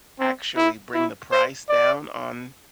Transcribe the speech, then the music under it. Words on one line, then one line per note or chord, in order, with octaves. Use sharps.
actually bring the price down on
C4
E4
E4
C5
D5